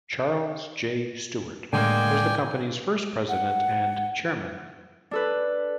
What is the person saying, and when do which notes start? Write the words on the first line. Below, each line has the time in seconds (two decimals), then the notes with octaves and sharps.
Charles J. Stewart was the company's first president and chairman.
1.73 A2 D3 G#3 A#3 D5 G5 G#5
3.29 F#5
5.11 D4 A4 B4